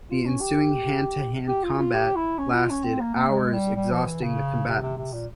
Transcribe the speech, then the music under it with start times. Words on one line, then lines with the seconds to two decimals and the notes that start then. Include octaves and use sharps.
The ensuing hand-to-hand combat lasted hours, exhausting the combatants.
0.11 F4
0.26 C#4
0.41 G4
1.48 G4
1.64 F4
1.79 F4
1.94 G4
2.16 E4
2.39 C#4
2.54 F4
2.70 C#4
2.85 C4
3.00 A#3
3.15 A#3
3.30 G#3
3.53 G3
3.75 G3
3.91 F3
4.06 E3
4.22 C#3
4.68 C3
4.82 C3
4.97 C3
5.13 A#2